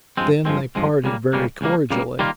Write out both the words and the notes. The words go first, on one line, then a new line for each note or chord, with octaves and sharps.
Then they parted very cordially.
G2 F3 G#3 C4
G2 F3 G#3 C4
G2 F3 G#3 C4
C#2 C#3 G3 A#3
C#2 C#3 G3 A#3
C#2 C#3 G3 A#3
C#2 C#3 G3 A#3
D#3 G3 A#3 F4